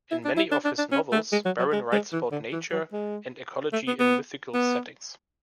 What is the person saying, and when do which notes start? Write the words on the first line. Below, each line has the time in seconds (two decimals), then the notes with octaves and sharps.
In many of his novels, Barron writes about nature and ecology in mythical settings.
0.11 E4
0.25 D4
0.37 E4
0.51 D4
0.65 D4
0.78 D4
0.92 C#4
1.12 A3
1.32 G#3
1.46 F#3
1.59 F#3
1.72 G#3
1.93 G#3
2.13 E3
2.32 D3
2.52 E3
2.72 F#3
2.93 G#3
3.73 A3
3.87 B3
4.00 B3
4.54 B3